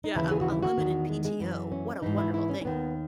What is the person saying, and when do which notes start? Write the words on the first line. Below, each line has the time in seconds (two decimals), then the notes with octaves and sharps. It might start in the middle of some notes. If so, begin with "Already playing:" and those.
Yeah, of unlimited PTO, what a wonderful thing
0.04 D#4
0.15 D#2 C#3 E3 E4
0.31 G#4
0.41 F#4
0.52 E4
0.63 F#4
0.78 E2 D#3
1.09 G#3
1.25 G#3
1.40 F#2 E3
1.72 C#4
2.02 G#2 E3 D#4
2.18 E4
2.34 E4
2.49 C#4
2.61 C#4
2.65 D#2 D#3 B3